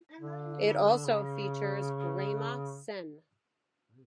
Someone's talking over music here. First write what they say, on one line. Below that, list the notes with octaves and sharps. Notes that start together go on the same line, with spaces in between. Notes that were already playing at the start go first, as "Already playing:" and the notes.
It also features Raima Sen.
D3
C#3